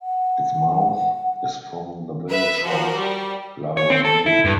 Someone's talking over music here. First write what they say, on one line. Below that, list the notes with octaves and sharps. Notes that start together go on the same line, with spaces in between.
Its mouth is from the village of La Romaine.
F#5
B4 E5
F3 F#4 A#4
G3
C#5
C4
A4
E4
G2